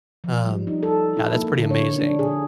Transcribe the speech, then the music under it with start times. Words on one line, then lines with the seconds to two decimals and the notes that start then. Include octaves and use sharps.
Um, yeah, that's pretty amazing.
0.24 F3
0.45 G3
0.67 D#4
0.83 A4
1.17 E4
1.36 A#3
1.55 D3
1.71 C#5
1.98 D4
2.19 G#4